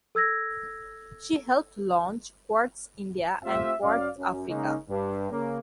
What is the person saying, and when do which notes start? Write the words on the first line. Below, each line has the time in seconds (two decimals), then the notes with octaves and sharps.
She helped launch Quartz India and Quartz Africa.
0.15 A4 E6 G#6 A#6
3.44 A3 C4 F4 G4 E5
3.82 F#2 D5 F5
4.18 F#2
4.49 C#3 G#3 A#3 C#4 D#4
4.89 G2
5.31 C#3 A#3